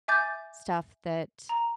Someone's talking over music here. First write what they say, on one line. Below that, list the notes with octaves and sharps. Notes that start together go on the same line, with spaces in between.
stuff that
E5 G#5 D6 G6 A6
A#5